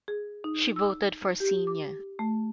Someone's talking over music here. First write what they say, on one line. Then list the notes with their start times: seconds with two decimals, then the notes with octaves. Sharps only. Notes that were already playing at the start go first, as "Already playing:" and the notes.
She voted for Xenia.
0.08 G#4
0.44 D#4
0.76 E6
1.40 G4
1.67 D6
2.19 A3